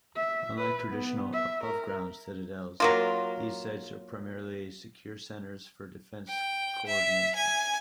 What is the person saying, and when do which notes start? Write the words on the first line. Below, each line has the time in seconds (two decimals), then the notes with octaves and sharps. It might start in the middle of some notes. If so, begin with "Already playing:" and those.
Unlike traditional above-ground citadels, these sites are primarily secure centres for defence co-ordination.
0.16 E5
0.58 B4
0.91 B3
1.33 E5
1.64 A#4
2.80 F#3 A#3 F4
6.28 G5
6.87 E5
7.35 G#5